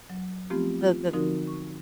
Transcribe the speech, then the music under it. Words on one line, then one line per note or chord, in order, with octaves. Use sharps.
the the
F#3
F3 A3 B3 C4 F4 G4
F4
D3 F3 C4 D#4 F#4 A#4
C#6